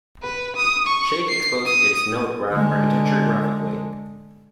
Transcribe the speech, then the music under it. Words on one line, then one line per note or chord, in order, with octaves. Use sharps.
Shake exposed its node graph architecture graphically.
B4
D#6
C#6
C7
D#6
D3 G#3